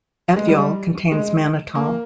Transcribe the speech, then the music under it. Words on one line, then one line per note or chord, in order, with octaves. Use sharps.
Ethyol contains mannitol.
G#3
G3
G#3
A#3